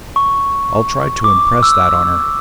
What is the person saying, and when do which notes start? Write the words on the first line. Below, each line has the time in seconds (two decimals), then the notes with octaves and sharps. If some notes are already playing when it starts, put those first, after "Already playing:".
I'll try to impress that on her.
0.16 C#6
1.24 D6
1.63 E6